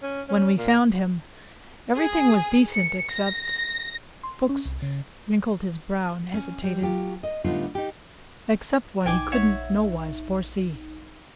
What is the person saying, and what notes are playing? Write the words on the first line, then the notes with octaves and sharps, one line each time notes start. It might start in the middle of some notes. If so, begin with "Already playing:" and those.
When we found him, everything was decent except,"--Fuchs wrinkled his brow and hesitated,--"except what he could n't nowise foresee.
C#4
C#4
A#2
G#4
C#7
A#6
C6
C#4
C2
C#3
C#4
G3
F#3 F4 G4
D#5
A2 D3 G3 B3 D#4 F4
D#4 G4
A#1 D#4 G5 G#5 D6
C#5 E5 F#5